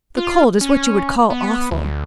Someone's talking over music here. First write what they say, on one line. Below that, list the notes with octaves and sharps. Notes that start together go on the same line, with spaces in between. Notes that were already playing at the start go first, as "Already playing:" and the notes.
"The cold is what you would call awful."
F4
C#4
B3
D2